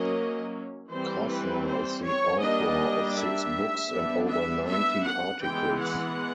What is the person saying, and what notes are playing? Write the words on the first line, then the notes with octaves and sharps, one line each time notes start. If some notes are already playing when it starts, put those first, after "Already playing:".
Krasner is the author of six books and over ninety articles.
Already playing: F#3 A#3 C#4 D#5
E3 G3 C4 C5
B4
C5
C#5
G3 A#3 D4 D#5
E5
G3 B3 D4
E5
E5
F#5
E3 G#3 B3 G5
F#5